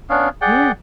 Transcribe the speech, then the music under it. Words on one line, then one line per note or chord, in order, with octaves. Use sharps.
M yeah.
B3 C#4 D4 F5
G#4 D5 F#5 G5